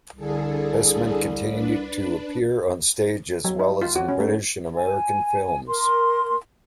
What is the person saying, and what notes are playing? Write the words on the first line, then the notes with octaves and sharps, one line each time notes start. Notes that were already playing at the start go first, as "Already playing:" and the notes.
Esmond continued to appear on stage as well as in British and American films.
C2 D3 G#4 A4
D4 B4
F#3
D#4
F4
F#4
C#4
A3
G#5
A#4 C6